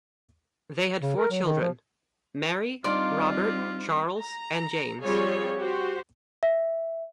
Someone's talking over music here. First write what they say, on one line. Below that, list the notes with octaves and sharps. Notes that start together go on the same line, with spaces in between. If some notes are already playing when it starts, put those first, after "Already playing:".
They had four children-Mary, Robert, Charles and James.
C#3
A#4
F#3
D#3
F3
G3 C4 D4 D#4 F4 D5 F5 C6
A#5
F3 G3 C4 F4 G#4 C#5
F#4 G4 C5
E5